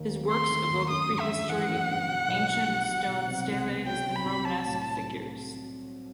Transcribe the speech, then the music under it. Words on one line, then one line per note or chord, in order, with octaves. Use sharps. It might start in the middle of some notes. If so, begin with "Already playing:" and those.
His works evoke prehistory, ancient stone steles and romanesque figures.
Already playing: D#2 D#3
C4
A3 C6
D#3
D#2
F#2 D#6
G1
E5
G1
E3 F#5
F#2
G1
B2
B1
B1
G3
B2
B1
C3
C2
B3
F#3 G5
C3
B5
C2
F#3 A5
A2